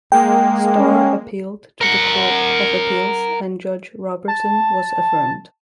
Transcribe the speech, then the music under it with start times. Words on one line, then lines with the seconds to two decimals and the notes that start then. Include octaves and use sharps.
Starr appealed to the Court of Appeals and Judge Robertson was affirmed.
0.12 G#3 A#3 G5
0.79 C#4
1.81 A#4 F#5
4.28 A5